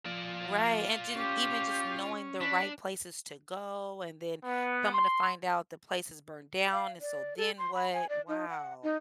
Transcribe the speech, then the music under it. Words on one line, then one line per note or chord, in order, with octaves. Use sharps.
right, and didn't even just knowing the right places to go and then coming to find out the place is burned down, and so, then what? Wow.
F3 F4 D5
C#4 G4
D4 B5
B3
C6
F5
D5
A4
C6
B5
G#5
D5
D#4
F#5
D#4